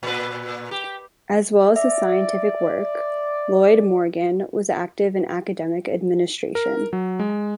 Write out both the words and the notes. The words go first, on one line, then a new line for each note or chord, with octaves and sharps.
As well as his scientific work, Lloyd Morgan was active in academic administration.
A#2 B4
G4
D5 E5
A#4
F#3
G#3